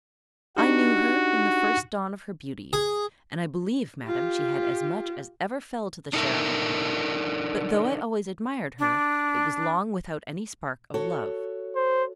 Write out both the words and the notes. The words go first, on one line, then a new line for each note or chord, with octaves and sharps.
I knew her in the first dawn of her beauty; and, I believe, madam, she had as much as ever fell to the share of a woman; but, though I always admired her, it was long without any spark of love.
D4 D#4 F#4 G4
G#4
F4 G4
D4 D#4 A4 A#4 E5
D4
F#4 A4 C#5
C5